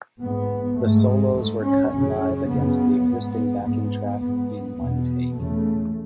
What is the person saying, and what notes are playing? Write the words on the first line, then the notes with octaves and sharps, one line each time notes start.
The solos were cut live against the existing backing track in one take.
G#2 B3
G#2 A3
G#3
G#2 A3
C#4
F#2 C#3 C#4
F#2 C#3 B3
G#2
G#2 B3
G#2 B3
E2 B2 B3
E2 C#3 A3